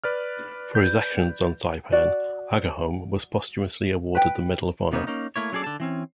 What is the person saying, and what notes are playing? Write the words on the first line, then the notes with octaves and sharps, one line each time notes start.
For his actions on Saipan, Agerholm was posthumously awarded the Medal of Honor.
B4 D5 F6
G6
F#4 D5
B4 G5
C3 A#3 B3 C#4 D#4
A#3 C#4 D#4
A3 A#3 E4 C#5
F#3 C#4 G#4 A4 D5
D3 A5
E3 C4 C#4